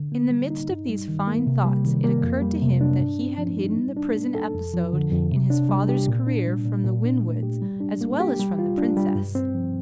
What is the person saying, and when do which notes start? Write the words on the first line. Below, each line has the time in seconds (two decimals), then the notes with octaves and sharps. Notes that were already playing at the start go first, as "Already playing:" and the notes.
In the midst of these fine thoughts it occurred to him that he had hidden the prison episode in his father's career from the Winwoods as well as from the Princess.
Already playing: D3
0.12 A#3
0.30 G3
0.50 D#4
0.69 G2
0.89 G3
1.08 D#3
1.27 A#3
1.46 C3
1.65 G3
1.84 D#3
2.04 A#3
2.23 F2
2.42 G3
2.62 C3
2.81 D4
3.00 G2
3.19 C4
3.38 F3
3.57 D#4
3.78 G3
3.96 D4
4.16 A#3
4.35 A4
4.54 F2
4.74 F3
4.93 D3
5.12 F2
5.32 C3
5.50 D4
5.69 G3
5.89 G4
6.08 A#2
6.27 D4
6.47 G3
6.66 A#2
6.84 A#2
7.05 D4
7.23 A3
7.43 G4
7.62 G3
7.81 D4
8.01 A#3
8.20 G4
8.39 G3
8.59 F4
8.78 D4
8.97 G3
9.15 G2
9.35 C4
9.54 F3